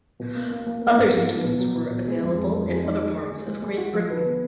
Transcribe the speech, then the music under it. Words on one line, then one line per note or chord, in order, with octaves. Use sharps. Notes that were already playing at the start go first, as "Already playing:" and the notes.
Other schemes were available in other parts of Great Britain.
B2
A#3
A#3
A#3
B3
G#2
F3
B3
B2
F#3
B2
B2
G#3
F2
G#3
F2
G#3
D#4
G#4
G#3
G#3
G#3
G#3
F#4
F3
B4
B3